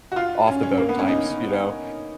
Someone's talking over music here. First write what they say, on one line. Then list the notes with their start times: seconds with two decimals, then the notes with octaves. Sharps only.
off the boat types, you know?
0.12 F#4
0.16 F4
0.47 C#4
0.63 C#4
0.78 A#3
0.89 B3
0.99 C#4
1.08 D#4